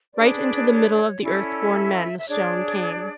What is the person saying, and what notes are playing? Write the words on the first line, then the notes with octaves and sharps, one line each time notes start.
Right into the middle of the Earth-born Men the stone came.
D4 G#4 B4 D5
D5
C#5
C#4 E4 A4 D5
E5
E5
D4 G#4 C#5 D5